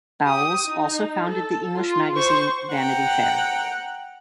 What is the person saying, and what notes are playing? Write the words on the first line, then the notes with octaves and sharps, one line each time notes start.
Bowles also founded the English magazine "Vanity Fair".
G4 D#6
D#4
A4
F4
C5 C#6
F#5 G5 A#5